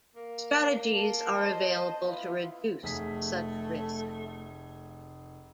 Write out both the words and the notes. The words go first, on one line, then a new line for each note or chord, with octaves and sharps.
Strategies are available to reduce such risk.
A#3
A5
C5 D#5 A5
B3 E4 F4
F1 A3 G#4 B6